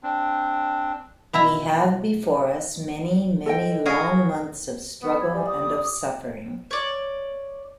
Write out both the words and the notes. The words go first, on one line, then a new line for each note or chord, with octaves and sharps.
We have before us many, many long months of struggle and of suffering.
C4 D4
B2 E4 E5 A#5
A4 D#5 G5
F#4 G#4 A#4
B3 D#4 G4 C#6
B5 E6 G#6
G3 C5 G#5
D6 D#6
C#5 D5